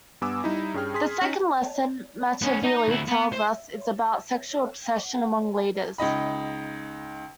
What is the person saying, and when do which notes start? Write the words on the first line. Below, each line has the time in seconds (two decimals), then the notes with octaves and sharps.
The second lesson Machiavelli tells us is about sexual obsession, among leaders.
0.22 G2 B3 G#5 D6 E6
0.44 G3 D#4 E4
0.74 G2 C#4 G#4 G5 F6
0.94 G#4 C6 B6
1.21 C#4 D#4 B6
2.42 B3 C#4
2.63 D#4 A#5
2.88 D2 E4
3.08 B3
3.32 C5
5.98 C#2 D#4 D#5 B5